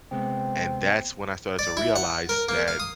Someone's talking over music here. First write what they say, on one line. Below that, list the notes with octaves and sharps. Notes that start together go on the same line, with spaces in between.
and that's when I started to realize that
C3 G#3 B3 C4
D5
E4
F#5
A#4
A#3
F5
D#6